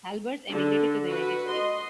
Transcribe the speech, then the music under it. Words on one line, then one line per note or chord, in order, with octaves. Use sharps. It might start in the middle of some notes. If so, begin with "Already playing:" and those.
Albers emigrated to the United States.
D3 A4
F#4 B4
D#5 C6